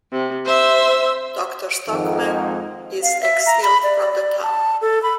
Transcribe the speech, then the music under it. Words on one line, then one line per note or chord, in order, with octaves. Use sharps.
Doctor Stockmann is exiled from the town.
C3
C5 E5 E6
F2 G#2 D#3
F5
E5
A#5
B5
D5
D5
A5
A4
B5